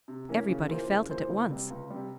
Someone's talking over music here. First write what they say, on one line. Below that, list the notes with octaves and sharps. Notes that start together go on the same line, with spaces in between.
Everybody felt it at once.
C3
E3 A#3 C#4
C#3
E3 A#3 F4 C5
C#3
E3 A#3 F4 C5
C#2
C3 G3
C#2
C3 G3